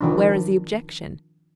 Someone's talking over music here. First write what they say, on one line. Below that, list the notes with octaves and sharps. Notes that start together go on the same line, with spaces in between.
Where is the objection?
D#3 F3 D4